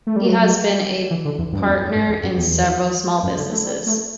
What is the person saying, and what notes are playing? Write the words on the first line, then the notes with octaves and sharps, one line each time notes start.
He has been a partner in several small businesses.
A3
G3
F#3
E3
D3
E2
G2
F#2
E2
F#2
G2
E2
F#2
E2
F#2
D3
A3
G3
A3